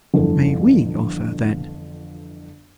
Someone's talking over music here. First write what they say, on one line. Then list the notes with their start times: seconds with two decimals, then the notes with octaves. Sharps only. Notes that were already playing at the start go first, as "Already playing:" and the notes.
"May we offer, then?"
0.14 G1 F2 E3 A4